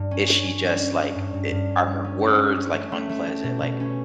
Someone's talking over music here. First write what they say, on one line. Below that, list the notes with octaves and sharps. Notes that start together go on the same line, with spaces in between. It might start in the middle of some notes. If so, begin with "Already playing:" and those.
is she just, like I are her words, like, unpleasant? Like,
Already playing: G2
C#4
C#4
C#4
G3
C#4
C#4
G2
G2
G2
C#4
G3
C#4
G4
C#4
C#4
A3
A3
A3
G4
B2
B2
C#4